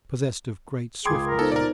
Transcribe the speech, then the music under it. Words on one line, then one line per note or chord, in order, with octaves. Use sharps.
Possessed of great swiftness.
C#2 G#4 G5 B5 C6 D6 D#6 G#6
A#4
B3 D#4 A4 C5
A#2 A#4 D5